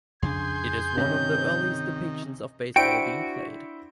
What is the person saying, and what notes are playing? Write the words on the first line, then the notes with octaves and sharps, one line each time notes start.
It is one of the earliest depictions of baseball being played.
F2 C#3 D4 G#4 C6 G6
G2 C3 D#3 C#4
D4 E4 F#4 C5 G5 D7